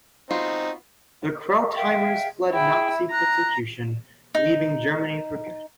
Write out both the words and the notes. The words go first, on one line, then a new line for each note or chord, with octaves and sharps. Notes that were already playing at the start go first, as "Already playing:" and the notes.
The Krautheimers fled Nazi persecution, leaving Germany for good.
B3 C4 D#4 F4 F#4
E5 F5 G5
E4 G#4 G5
A#5 F#6
D#4